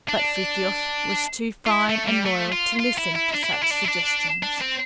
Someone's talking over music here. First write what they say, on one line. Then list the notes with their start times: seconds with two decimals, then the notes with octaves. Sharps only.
But Frithiof was too fine and loyal to listen to such suggestions.
0.09 D4
1.67 F4
1.71 E4
1.89 A3
2.08 G3
2.26 A3
2.52 F4
2.79 F4
2.98 E4
3.15 E4
3.34 D4
3.44 E4
3.52 D4
3.61 E4
3.70 D4
3.84 E4
3.88 D4
4.43 D4
4.61 C4